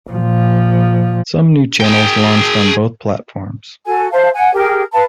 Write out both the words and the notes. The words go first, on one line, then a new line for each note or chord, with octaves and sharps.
Some new channels launched on both platforms.
A#2 F3
G#4 G5
F#4 A4 G#5
C5 E5 F5 A5
F#5 G#5
G4 G#4 A#4
B4 F5 A5 B5